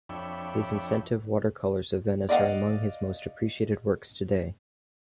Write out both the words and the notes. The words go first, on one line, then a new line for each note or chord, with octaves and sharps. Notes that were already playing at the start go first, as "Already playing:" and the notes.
His inventive watercolors of Venice are among his most appreciated works today.
F2 D4 C#5 E5 G5 B5
D5 D#5 F5 F#5